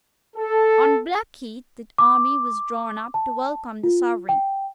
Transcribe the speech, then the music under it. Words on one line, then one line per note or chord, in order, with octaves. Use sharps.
On Blackheath the army was drawn up to welcome the sovereign.
A4
D6
A5
F4
G5